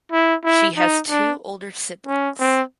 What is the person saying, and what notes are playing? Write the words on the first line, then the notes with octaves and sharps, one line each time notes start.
She has two older siblings.
E4
E4
D#4
D4
C#4
C4